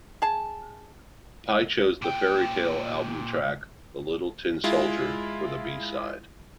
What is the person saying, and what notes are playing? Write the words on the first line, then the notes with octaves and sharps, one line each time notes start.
Pye chose the "Fairytale" album track "The Little Tin Soldier" for the b-side.
G#4 A5
A#2 G5
G#3 E4 F4